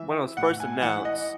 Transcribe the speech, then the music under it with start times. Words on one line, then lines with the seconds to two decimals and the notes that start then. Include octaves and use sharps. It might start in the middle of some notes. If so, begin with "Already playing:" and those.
when it was first announced
Already playing: E3 E5
0.37 A2 F#5
0.60 G#5
0.82 E3 F#5
1.05 D#5